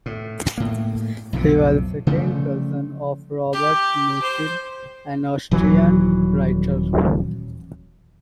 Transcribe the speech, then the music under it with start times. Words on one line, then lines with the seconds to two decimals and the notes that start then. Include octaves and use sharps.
He was a second cousin of Robert Musil, an Austrian writer.
0.06 A2
0.58 A2 A#3
1.33 B1 F2 A2 C3
2.07 C#3 F3 G3 A3
3.53 G4
4.23 C5
5.51 D#1 E3 F#3